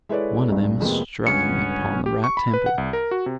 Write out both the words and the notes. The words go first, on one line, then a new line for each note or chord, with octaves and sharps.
One of them struck me upon the right temple.
G#3 E4 A4 B4 C#5 D5
C2 G2
F2 C3 G#3 A#3 B3
G1 C#2 B3 C#4 C#7
G4
C#6
B5
B4
F#5
C2
A#4
F#4
C3